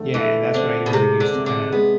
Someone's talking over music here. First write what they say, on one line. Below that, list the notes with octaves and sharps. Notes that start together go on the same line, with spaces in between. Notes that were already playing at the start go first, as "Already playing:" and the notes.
yeah, and that's what I usually use to kinda,
Already playing: D3 A3
E3 A3
D3 C4
B2
C3 G#3
D3
C3
D3
G#3 B3